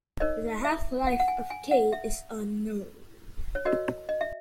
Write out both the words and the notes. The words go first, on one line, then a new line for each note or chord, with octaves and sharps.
The half-life of K is unknown.
D#4 A#4 C#5 D#5
E5
F#5
F#5
G#5
G#5
F#5
E5
C#5
F#4 A#4 C#5 D#5
D#5
E5